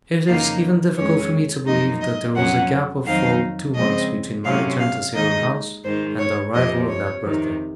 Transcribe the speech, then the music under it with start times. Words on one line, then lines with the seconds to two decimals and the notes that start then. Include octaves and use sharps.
It is even difficult for me to believe that there was a gap of full two months between my return to Salem House and the arrival of that birthday.
0.26 F2 C#3 F3 A#3 D#4 F5
0.96 F2 D#3 G#3 C#4 C#5
1.66 F#2 F3 A#3 D#4 D#5
2.01 D#5
2.35 F2 C3 F#3 C#4 F#5
3.05 F2 D#3 F#3 C4 D#4 F5
3.74 C#3 F3 G#3 C4 D#5
4.44 C3 F#3 C#4 F5
4.79 F5
5.14 D#2 D#3 G#3 D#4 D#5
5.84 G#2 D#3 G#3 C5
6.18 C#5
6.53 F2 C3 F3 D#5
6.88 C#5
7.23 F2 C3 D#3